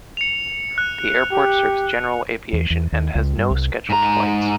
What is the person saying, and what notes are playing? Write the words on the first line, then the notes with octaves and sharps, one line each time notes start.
The airport serves general aviation and has no scheduled flights.
C#7 F7
F#6
G4
E2
E2
D#2
C#2
G2
C2
G#2 A#5